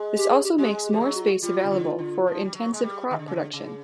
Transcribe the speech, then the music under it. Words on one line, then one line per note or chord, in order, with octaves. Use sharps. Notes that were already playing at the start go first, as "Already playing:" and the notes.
This also makes more space available for intensive crop production.
Already playing: G#3
G4
G#4
G4
G#3 G4
G4
F3
F#3
F#4
F4
F#4
G3 F4
C#3
D3
D3
F3
G3
F#3
G#3
G3
D#3
D3
C#3
D3
C#3